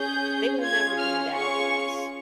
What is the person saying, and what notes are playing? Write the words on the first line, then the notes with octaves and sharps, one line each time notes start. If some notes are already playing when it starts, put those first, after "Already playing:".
they will never be that other race.
Already playing: C#4 G#4 G6
C#4 F4 G#4 G#6
F6
C#6